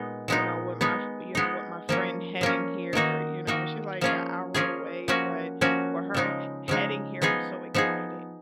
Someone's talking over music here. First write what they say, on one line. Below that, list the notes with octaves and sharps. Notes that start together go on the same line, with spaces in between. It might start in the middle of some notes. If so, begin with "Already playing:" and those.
you know, what my f you know, what my friend heading here, you know, when she, like, a hour away, but where her he heading here, I'm so excited.
Already playing: A#2 G#3 B3 D#4
A#2 G#3 B3 D#4
G#3 B3 D#4
G#3 B3 D#4
F3 A#3 C#4
F3 A#3 C#4
D#3 A#3 D#4 F#4
D#3 A#3 D#4 F#4
F3 A#3 C#4 F4 G#4
F3 A#3 C#4 F4 G#4
F3 A#3 C#4 F#4
F3 A#3 C#4 F#4
C#3 F3 G#3 D#4
C#3 F3 G#3 D#4
F3 B3 D#4 G#4
F3 B3 D#4 G#4